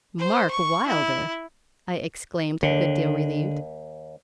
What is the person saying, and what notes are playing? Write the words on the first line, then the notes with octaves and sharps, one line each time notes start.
Mark Wylder,' I exclaimed, a good deal relieved.
C5
C#6
E4
D#2 D3